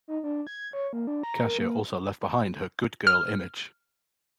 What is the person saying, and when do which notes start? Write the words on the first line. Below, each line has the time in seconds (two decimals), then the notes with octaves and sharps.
Kasia also left behind her "good girl" image.
0.08 D#4
0.23 D4
0.47 G#6
0.73 C#5
0.93 A#3
1.07 D4
1.23 A#5
1.43 A#4
1.59 A#3
3.07 F6